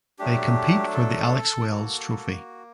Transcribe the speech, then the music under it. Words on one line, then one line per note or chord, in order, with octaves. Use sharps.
They compete for the Alex Wells trophy.
F#3 A3 D4 G4
A4
A#3 F#4